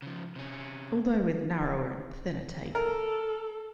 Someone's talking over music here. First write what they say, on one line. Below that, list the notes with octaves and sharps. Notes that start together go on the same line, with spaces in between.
Although with narrower and thinner tape.
C#3 F3
C3 C#4
A4 A#4